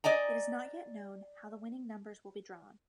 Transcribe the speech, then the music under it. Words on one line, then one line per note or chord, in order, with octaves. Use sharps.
It is not yet known how the winning numbers will be drawn.
D5 D#5 G#5 A#5